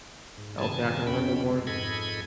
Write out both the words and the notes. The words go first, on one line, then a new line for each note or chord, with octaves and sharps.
I don't think I can run no more.
G#2
G2 C3 D#3 G#5 A5
F2 C#3 C#4 G5 B5
G#3 C4
F2 G#2 A4 D#5 B5 G#6